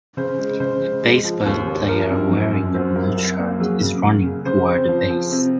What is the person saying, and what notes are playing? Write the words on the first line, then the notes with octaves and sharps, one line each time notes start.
A baseball player wearing a blue shirt is running toward a base.
C#3 C5
G#3
C#3 C5
G#3
G#3
F3
D#2
D#2
F3 A#4
F#2
F#2
F#2
F#3 C5
C2 A#4
C2
A#3
F#3 G#4
C#3
C#3
C#3
C#3 C5
C4
F3
F3
C3